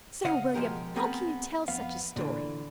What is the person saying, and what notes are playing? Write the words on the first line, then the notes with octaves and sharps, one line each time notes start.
Sir William, how can you tell such a story?
C#3 D#5 F5 F#5
B2 F3 G#3 G4 A#4
B3 C4 G#4 A#4 G#5
F2 B3 F5
A#2 D3 E3